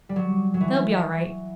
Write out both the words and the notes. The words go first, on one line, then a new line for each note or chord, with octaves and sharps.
'They'll be all right.
G3
F#3
F#3
E3